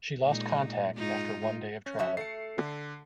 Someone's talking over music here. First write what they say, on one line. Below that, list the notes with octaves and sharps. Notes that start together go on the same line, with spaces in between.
She lost contact after one day of travel.
A#2 G#3 D#4
G#2 D#4 F4
C#4
F3 F#4 E5
A3 C7 C#7
D3